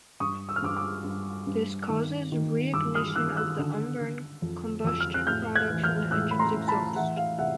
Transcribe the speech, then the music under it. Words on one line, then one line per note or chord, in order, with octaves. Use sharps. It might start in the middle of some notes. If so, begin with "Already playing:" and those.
This causes reignition of the unburned combustion products in the engine's exhaust.
G2 C#6 D#6
E6
F6
G2 D6 E6
D6 E6
G2
G2
D#3
D#3
G2 D6 E6
D#6 F6
D#3 E6 F#6
E6 F#6
D3
D3
F2
F2 E6
F6
F#6
A2 F6 G6
F#6 G#6
E3
F6 G6
A2 E6 F#6
B5
A#5 C6
A2
A5 B5
E3 E5 F#5
F5
C3 E5 F#5